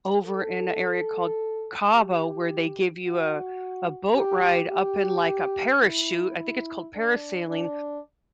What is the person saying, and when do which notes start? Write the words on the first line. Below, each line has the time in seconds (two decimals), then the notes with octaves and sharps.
over in a area called Cabo where they give you a a boat ride up in, like, a parachute, I think it's called parasailing.
0.25 A4
1.93 G4
3.04 F#4
4.14 G4
4.71 G4
5.82 E4
6.37 E4
6.93 D4
7.49 D4